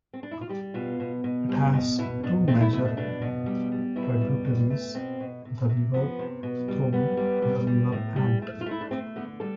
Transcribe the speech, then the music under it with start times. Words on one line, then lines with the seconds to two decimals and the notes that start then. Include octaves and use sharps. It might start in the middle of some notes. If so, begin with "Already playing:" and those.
It has two major tributaries, the River Thurne and the River Ant.
0.14 C4
0.23 D4
0.31 E4
0.41 F4
0.49 G3 G4
0.74 B2 F4
1.00 B2
1.24 B2
1.49 G3
1.73 B2
1.99 B2 E4
2.23 B2 D4
2.48 A3 C4
2.61 E4
2.73 B2 E4
2.85 D4
2.97 B2 D4
3.22 B2
3.46 G3
3.72 G3
3.96 B2 E4
4.21 G3
4.46 B2
4.70 A3
4.95 B2 C4
5.20 B2
5.45 C3
5.69 C3
5.94 F3 B3
6.19 C3
6.43 B2
6.68 G3
6.93 G3 B3
7.17 G3
7.42 G3
7.67 G3
7.92 A2
8.16 G3
8.42 A3
8.61 F4
8.66 A3 E4
8.81 D4
8.91 A3 C4
9.16 D3 B3
9.40 G3 A4